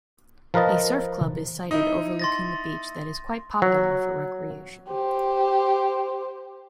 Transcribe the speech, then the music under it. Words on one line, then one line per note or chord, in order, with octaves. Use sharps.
A surf club is sited overlooking the beach that is quite popular for recreation.
F3 A#4 B4 D#5 A5
D#4 E4
C6 A6 A#6
F#3
G4 C5